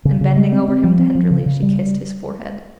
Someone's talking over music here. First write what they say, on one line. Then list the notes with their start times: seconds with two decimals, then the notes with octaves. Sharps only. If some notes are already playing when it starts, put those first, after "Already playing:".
And, bending over him tenderly, she kissed his forehead.
0.05 C#3
0.21 C#3
0.36 G#3
0.52 C4
0.68 C4
0.84 F3
0.99 C4
1.15 F3
1.31 C#3
1.46 C#3
1.62 G3